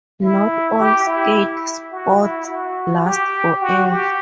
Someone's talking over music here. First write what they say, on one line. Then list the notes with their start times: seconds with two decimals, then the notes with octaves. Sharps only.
Not all skate spots last forever.
0.23 E4
0.79 G4
1.07 E4
1.92 F#4
2.20 E4
2.48 F#4
3.05 G4
3.62 F#4
3.89 G4